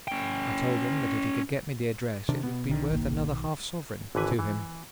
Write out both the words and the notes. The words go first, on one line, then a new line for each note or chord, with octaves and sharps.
I told him that if he could get me the address it would be worth another half-sovereign to him.
C#4 G5
C3 D#3 D4
B2 B3
B1 D3 D#3
G1 A#3
G#1 D3 E3 B4 G#5
E3